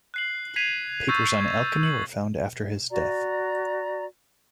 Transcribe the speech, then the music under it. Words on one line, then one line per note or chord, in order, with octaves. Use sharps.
Papers on alchemy were found after his death.
F#6 C7 F#7
G#6 B6 C7 D#7 F7
C#6 E6 F#6 G6 A6 D#7
G#6
F#7
F#4 D5 A#5